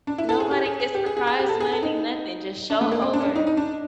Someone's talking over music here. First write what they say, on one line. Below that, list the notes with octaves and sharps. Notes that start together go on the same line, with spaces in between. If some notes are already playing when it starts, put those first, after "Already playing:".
Nobody gets the prize money, nothing, just show over.
D4
E4
A4
G#4
G4
G#4
G#4
G4
G#4
G#4
G#4
G4
A4
G#4
A4
D#4
D4
A3
A#3
C4
D4
C#4
D4
D#4
D#4
D4